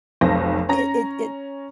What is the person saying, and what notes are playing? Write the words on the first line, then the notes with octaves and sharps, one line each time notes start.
it it it
F1 B1 F2 C4 A#6
C#4 A#5 A#6